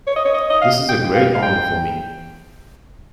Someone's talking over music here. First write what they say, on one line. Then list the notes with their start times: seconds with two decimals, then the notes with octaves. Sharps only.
This is a great honour for me.
0.07 C#5
0.16 D#5
0.25 C#5
0.34 D#5
0.50 D#5
0.61 F5
0.89 G5
1.15 F5
1.34 F5
1.42 G5